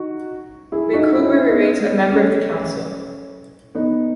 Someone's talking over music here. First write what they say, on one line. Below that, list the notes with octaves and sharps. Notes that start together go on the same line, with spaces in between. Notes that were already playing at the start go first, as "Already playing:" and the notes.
McCoubrey remains a member of the Council.
Already playing: D#4 F#4
E4 G#4
D#4 F#4
C#4 E4
C#4 E4
B3 D#4
G#3 B3
A3 C#4
B3 D#4